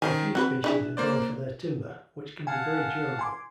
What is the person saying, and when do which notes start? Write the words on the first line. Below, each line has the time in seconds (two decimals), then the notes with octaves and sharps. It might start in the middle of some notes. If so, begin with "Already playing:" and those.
A few species are grown for their timber, which can be very durable.
0.02 D#3 C#4 C5 G#5
0.35 C4 F#4 B4 F#6
0.64 D4 E4 G#4
0.97 A#3 C5 D5
2.47 F5 F#5 G#5 A5
3.19 G#5 C6 D6